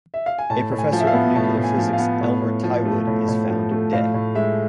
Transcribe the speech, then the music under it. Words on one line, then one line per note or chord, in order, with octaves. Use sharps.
A Professor of Nuclear Physics, Elmer Tywood, is found dead.
E5
F5
G#5
A2 A5
A2
G#5
F3
E5
F5
B3
A2 A5
A2
G#5
F3
F5
B3
A2
A2
F3
A3
A2
A2
F3
A3
A2 F5
A2
G#3 E5